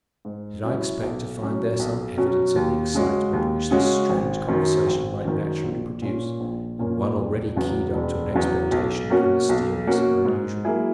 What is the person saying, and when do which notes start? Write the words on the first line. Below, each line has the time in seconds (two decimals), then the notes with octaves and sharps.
Did I expect to find there some evidence of the excitement which this strange conversation might naturally produce in one already keyed up to an expectation of the mysterious and unusual?
0.25 G#2
0.63 F#3 C#4 E4
1.02 B1
1.40 B2 F#3 C#4
1.79 B1
2.17 B2 F#3 C#4
2.56 D#2
2.94 C#3 G#3 C#4 F#4
3.33 D#2
3.71 C#3 G#3 C#4 F#4
4.10 G#1
4.48 F#2 D#3 F#3
4.87 G#1
5.25 F#2 D#3 F#3
5.64 A#1
6.02 A#2 A#3 C#4
6.40 A#1
6.79 A#2 A#3 C#4
7.17 E1
7.56 E2 C#3 F#3
7.95 E1
8.33 E2 C#3 F#3
8.71 B1
9.10 B2 A#3 C#4 F#4
9.49 B1
9.87 B2 A#3 C#4 F#4
10.25 G#2
10.65 F#3 A#3 E4 G#4